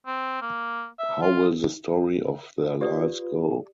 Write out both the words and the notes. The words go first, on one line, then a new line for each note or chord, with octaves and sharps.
How will the story of their lives go?
C4
A#3
E5
F4
F4 G4 B4 D5 D#6